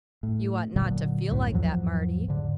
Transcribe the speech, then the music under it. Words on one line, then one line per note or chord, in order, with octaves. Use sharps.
"You ought not to feel like that, Marty."
A2
A#2 D3 F#3
C2 F#2 A2
E2 G#2 F3 F#3
G#2 D3